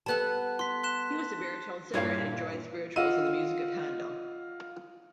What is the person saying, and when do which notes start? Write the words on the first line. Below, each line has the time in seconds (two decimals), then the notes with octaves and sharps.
He was a baritone singer and enjoyed spirituals and the music of Handel.
0.06 G3 B3 A4 A5 F#6
0.59 C6 B6
0.83 C6 F#6 E7
1.93 G2 A#2 E4 C#5 F5
2.96 F4 D#5 F#5 E6 D#7